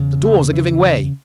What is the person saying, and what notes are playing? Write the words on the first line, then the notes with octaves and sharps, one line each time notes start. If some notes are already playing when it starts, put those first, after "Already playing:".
The doors are giving way.'
Already playing: E2 C#3
A3
E3